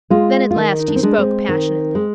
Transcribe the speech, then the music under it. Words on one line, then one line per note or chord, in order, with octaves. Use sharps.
Then at last he spoke passionately.
G#3 F4
F4
D#3 D#4
D4
C4
G#3 D4
C4
D#3
G#3